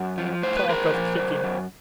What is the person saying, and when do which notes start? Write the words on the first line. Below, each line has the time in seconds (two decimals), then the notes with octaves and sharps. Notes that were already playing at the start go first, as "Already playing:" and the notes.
Talk of kicking!
Already playing: F#2
0.18 F3
0.43 A2 C5
0.57 B4
0.68 A2 A#4 C5
0.94 F3
1.19 F#2
1.44 F#2